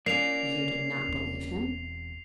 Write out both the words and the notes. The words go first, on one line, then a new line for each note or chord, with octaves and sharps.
"You did not believe him?"
A#3 C#4 A#4 D5 C7 F7
E1 E2 C4